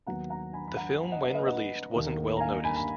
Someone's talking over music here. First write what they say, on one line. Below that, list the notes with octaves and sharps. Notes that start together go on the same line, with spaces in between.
The film when released wasn't well noticed.
D#2 D#3 F#3 B3 F#5 A#5
F#5 A#5
G#5 B5
B5
F#5 A#5
D#5 F#5
B4 D#5
B4 D#5
D#5 F#5
D#2 D#3 A#3
A#5
F5 G#5
G#5 B5
G#5 B5